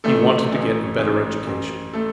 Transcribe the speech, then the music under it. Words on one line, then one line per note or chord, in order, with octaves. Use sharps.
He wanted to get a better education.
A1 A3 A4
A1
A1
A1
A3 A4